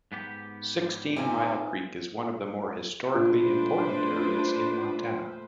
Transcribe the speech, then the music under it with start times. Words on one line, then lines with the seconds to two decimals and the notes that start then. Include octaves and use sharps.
Sixteen-Mile Creek is one of the more historically important areas in Montana.
0.12 G#2 B3 G4
1.16 C3 E3 D#4 F4 G#5
3.14 A#2 A3 D4 B4 C5